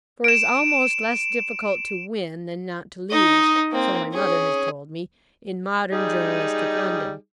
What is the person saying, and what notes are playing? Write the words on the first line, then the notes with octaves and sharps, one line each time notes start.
For it is almost less difficult to win than not to lose, so my mother has told me, in modern journalistic London.
D7 E7
D#4 D#5
A#3 C4
C#4 G#4
G3 D#4 G#4